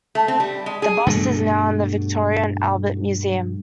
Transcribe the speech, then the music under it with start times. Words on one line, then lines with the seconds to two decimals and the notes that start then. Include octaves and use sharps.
The bust is now in the Victoria and Albert Museum.
0.15 A3
0.28 C4
0.40 G3
0.66 G#3
0.82 G#4
1.07 G2 B2 A3